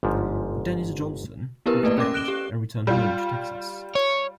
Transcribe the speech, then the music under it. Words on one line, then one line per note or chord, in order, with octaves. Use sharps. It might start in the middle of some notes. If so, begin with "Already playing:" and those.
Dennis Johnson quit the band and returned home to Texas.
G1 G#2 F3
B3 E4 G4 A#4 B4
A3 A#3 A4 B4 D5
C#4 A#4 D6 A#6
F#6 D7 E7 G7
G4
G3 F4
C#5